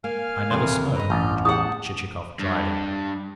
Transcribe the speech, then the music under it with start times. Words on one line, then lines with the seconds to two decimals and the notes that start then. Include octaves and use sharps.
"I never smoke," rejoined Chichikov drily.
0.04 A#3 F5 G#5 F6
0.51 D#2 C3 E3 A4 C6
0.96 G2 B4 D#5 A#5
1.10 A1 F6 G6
1.45 E4 G4 G#4 F#5 A5 D#6
2.39 G2